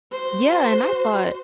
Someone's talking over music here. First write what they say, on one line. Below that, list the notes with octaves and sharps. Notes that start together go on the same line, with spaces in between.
Yeah, and I thought
F#4 C5